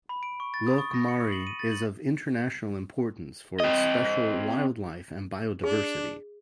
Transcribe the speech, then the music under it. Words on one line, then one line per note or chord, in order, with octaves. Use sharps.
Loch Maree is of international importance for its special wildlife and biodiversity.
B5
D7
C#6
A6
D#6
C#6
A#6
C#7
F#7
D#7
A6
F#7
C4 D#5
D4 G#4